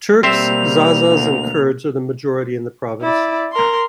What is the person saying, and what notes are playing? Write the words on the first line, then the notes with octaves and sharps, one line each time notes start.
Turks, Zazas and Kurds are the majority in the province.
B2 G3 A#3 C4 C5 E5 F7
D2
E4 D5
A#4 C6